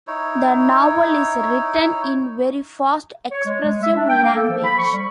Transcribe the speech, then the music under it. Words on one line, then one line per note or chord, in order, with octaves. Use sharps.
The novel is written in very fast, expressive language.
D#4 E4 C#5
C#5
G#3
G#3
E5
D4
G5
A#3
A4
F3
B5
C#6
G3